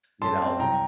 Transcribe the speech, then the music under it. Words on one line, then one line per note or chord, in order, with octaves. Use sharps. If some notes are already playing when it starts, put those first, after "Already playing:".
you know?
F#2 A5 C6
C4
C2 G5 A#5